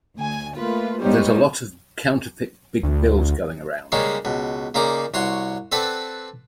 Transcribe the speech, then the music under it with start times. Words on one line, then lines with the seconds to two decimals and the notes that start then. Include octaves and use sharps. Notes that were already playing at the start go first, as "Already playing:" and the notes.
There's a lot of counterfeit big bills going around.
0.16 D2 G#5
0.55 A3 A#3 F4 B4
1.01 G3 G#3 B3 D#4 C5 C#5
2.83 D2
3.92 C#3 G3 G#3 A#3 C#4 D#4
4.25 C#2 B2
4.74 A#2 C#3 A#3 D#4 D6
5.14 C2 F#4 C#5 C6
5.72 C4 A4 B4 D5 F#5 B5